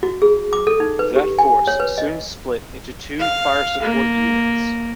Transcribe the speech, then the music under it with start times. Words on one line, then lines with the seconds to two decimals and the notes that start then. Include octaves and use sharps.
That force soon split into two fire support units.
0.03 F#4
0.22 G#4
0.53 D6
0.67 A4
0.80 D#4
0.99 B4
1.16 G4
1.38 G#5
1.67 C#5
1.80 B4
1.98 D#5
3.20 F5
3.82 A#3